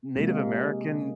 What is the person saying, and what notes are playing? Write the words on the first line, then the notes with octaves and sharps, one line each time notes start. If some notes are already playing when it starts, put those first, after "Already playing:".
Native American
C3 G#3 A#3